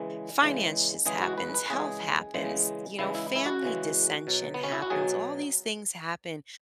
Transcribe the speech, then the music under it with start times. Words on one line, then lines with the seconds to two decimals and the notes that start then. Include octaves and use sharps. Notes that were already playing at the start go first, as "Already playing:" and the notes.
finances happens, health happens, you know, family dissension happens, all these things happen.
Already playing: C#3 E3 G#3
0.43 C#3 E3 G#3
1.06 C#3 E3 G#3 G#4
1.22 F#4
1.38 B4
1.54 B4
1.70 C#3 E3 G#3 G#4
2.34 C#3 E3 G#3
2.99 C#3 E3 G#3 E4
3.15 E4
3.36 E4
3.46 F#4
3.63 C#3 E3 G#3
4.27 B2 F#3
4.54 B3
4.63 C#4
4.72 E4
4.82 F#4
4.90 B2 F#3 G#4